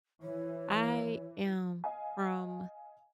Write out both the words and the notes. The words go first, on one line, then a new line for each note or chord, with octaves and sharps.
I am from
E3 C#5
D#5 F5 G#5